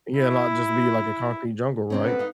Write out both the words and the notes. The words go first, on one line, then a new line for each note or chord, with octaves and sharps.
yeah, not just be, like, a concrete jungle, right,
E4
C3 C4 C#4
B3 A4 B4
D#4 F5